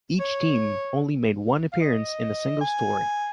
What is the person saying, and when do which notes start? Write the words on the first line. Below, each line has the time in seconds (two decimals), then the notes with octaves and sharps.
Each team only made one appearance in a single story.
0.20 C#5
1.73 F5
1.81 D#5
2.61 G#5